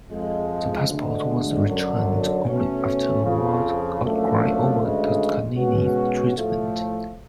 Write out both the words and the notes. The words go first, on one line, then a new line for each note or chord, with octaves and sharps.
The passport was returned only after a world outcry over Toscanini's treatment.
F2 F3 G#3
D2 D3 G#3
F#2 D3 F#3
B2 A3 C#4
F2 C#3 F3
F#1 F#2 F3 A3 D4
D2 C#3 G#3
B2 G#3 C#4 F#4
A2 F3 A3